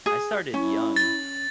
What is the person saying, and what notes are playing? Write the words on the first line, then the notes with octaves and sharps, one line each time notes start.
I started young.
G#4
C#4 E4
A6